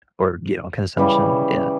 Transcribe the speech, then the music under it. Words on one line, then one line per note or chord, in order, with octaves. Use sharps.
or, you know, consumption, yeah.
C#3 E3 G3 E4